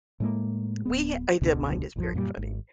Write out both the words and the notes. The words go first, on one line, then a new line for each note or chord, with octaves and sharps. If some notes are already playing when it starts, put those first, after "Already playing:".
we h I the mind is very funny.
A2 G#3 A#3
D1 B3
E1 C#2 B2 D3
A1 F2 E3 F3
F#2 A#2 D#3 G3
G#1